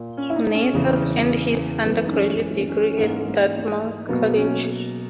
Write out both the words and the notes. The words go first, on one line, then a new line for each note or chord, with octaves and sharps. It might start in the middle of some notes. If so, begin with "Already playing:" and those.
Nasser earned his undergraduate degree at Dartmouth College.
Already playing: A#2 A#3
C#4
E4
D#4
D#4
C#4
E2 C#3 E3
F#2 E3 G#3 B3
D#4
C#4
C#4
C#4
G#2 E3 A#3
B2 F#3 A#3 B3
C#4